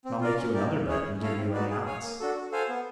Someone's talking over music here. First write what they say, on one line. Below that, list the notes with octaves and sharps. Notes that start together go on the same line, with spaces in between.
"And I'll make you another bet, and give you any odds."
C4
F4 A#4 D5
C#4
E4 G4 A#4 D5
A#3
C#4 E4 G#4 C#5
C#4
E4 A4 C#5 F5
C4
D#4 F#4 B4 D5
G#4
C#5 F5 G#5
A#3
D4 F#4 A4
F#4
A4 C5 F5 G#5
B3